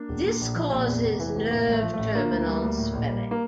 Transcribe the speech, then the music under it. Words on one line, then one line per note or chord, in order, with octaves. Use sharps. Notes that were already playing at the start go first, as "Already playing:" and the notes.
This causes nerve terminal swelling.
Already playing: A#3 D4
E1
A#2
A#1
F3
A#1
E2
F1
E3
F1
A2 A#3
A1
A3
F3
A1 A3
D3 A#3
D2
G3
D2
A2
A#1
G3
A#3